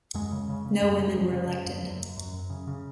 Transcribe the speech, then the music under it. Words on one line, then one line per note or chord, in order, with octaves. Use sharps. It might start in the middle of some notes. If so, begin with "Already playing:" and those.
No women were elected.
F#2 G#3
C#3
C#3
C#3
F#2
C#3
F#2
C#3
C#3
F#2
F#2
F#2
F#2
F#2
C#3
C#3